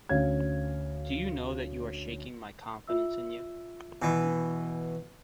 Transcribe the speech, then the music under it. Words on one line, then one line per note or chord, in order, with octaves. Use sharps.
Do you know that you are shaking my confidence in you.
D2 C#4 F5 G#6
F4 E5 E6
B2 E3 G#5